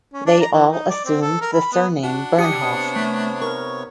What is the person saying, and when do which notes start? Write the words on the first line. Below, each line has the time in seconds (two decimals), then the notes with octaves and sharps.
They all assumed the surname Bernhoft.
0.13 C#4
0.26 D4
0.41 A#5
0.53 E3
0.72 D#4
0.90 D5
1.05 C4
1.21 A4
1.41 A#4
1.53 B5
1.73 B3
2.04 D4 F#4 F#5
2.39 G4 D#6 C#7
2.62 C3 B3 C#5 D#6
2.96 A3
3.42 A#4 C#6